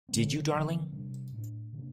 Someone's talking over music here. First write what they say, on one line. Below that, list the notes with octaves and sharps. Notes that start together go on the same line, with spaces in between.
Did you, darling?
D3 A3 C4
D3 F3 A3 C4
C3 G3 D4
A2 A3 D4
C3 D#3 A#3 D4